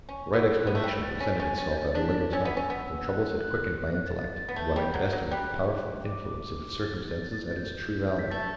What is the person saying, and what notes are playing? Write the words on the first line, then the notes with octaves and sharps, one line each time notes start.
The right explanation presented itself at a later time, when troubles had quickened my intellect, and when I could estimate the powerful influence of circumstances at its true value.
C#4 C#6
B3 E6
F#6
B3
A3
G3 E6
A6
C#4 B6
C#4 A6
C#4 A6
G6
A6
D4 B6
B6
A6
C#4 E6
B3
C#4
B3
F#6
F#6
A6
A6
B3
A3 G6
G3
F#3
F#3
G3 F#6
C#6
D6
A6
G6
B6
A3 A6